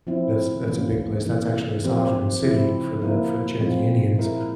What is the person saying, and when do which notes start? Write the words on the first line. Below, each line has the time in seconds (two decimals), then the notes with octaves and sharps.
that's that's a big place, that's actually a sovereign city for the for the Cherokee Indians,
0.07 F3 C4 E4
0.66 E3 A#3 C#4
1.25 C3 E3 A#3
1.84 F3 C4 G4 A#4
2.42 C#3 F3 C4 E4
3.00 F3 A#3 E4 A#4
3.60 A#2 F3 G#3 C4 F4
4.18 G#3 E4 A#4